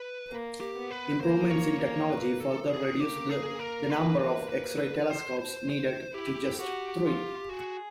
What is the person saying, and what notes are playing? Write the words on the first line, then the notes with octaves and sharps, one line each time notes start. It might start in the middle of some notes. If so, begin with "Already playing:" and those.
Improvements in technology further reduced the number of X-ray telescopes needed to just three.
Already playing: B4
A#3
G4
B3
B4
A#3 C5
C#5
C#5
B4
A4
G#4
A#3 G4
G#4
A#4
B4
B4
B4
B4
C5
C5
C5
E4 G4
F#4 G4
F4
F#4 G#4